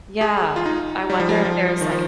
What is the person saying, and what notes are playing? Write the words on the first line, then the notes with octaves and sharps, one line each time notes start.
Yeah. I wonder if there's, like
G#4
F4
D#4
G3
F3
G3
F3
D#3
F3